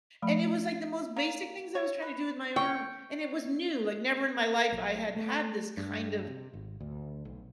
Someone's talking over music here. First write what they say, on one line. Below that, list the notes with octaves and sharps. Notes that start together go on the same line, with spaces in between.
and it was, like, the most basic things I was trying to do with my arm, and it was new, like, never in my life I had had this, kind of,
F3 A3 B5
A#3
C#5
B4
G5 C#6
B1
A3
G2
C3
G#1
D2
B1